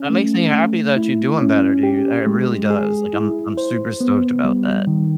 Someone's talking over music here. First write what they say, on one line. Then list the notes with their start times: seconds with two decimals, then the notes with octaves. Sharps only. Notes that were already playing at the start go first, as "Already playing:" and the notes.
That makes me happy that you're doing better, dude. It really does, like, I'm I'm super stoked about that.
Already playing: C#4
0.10 A3
0.53 A3
0.96 E4
1.40 C#4
1.83 G4
2.27 G#3
2.70 G#4
3.13 E4
3.57 C5
4.01 B3
4.44 G3
4.87 D#3